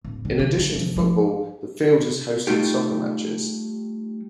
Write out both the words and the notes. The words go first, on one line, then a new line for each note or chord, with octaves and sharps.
In addition to football, the field has hosted soccer matches.
D1
D3 F#3
D3
D3
E3 F3
F3 A3
G3 A3 D#4 F4 G4